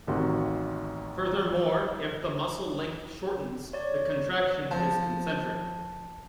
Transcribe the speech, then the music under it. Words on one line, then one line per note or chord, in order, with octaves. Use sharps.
Furthermore, if the muscle length shortens, the contraction is concentric.
A1 C3 D#3 F#4 F5 C6
C#5 D5
F3 A5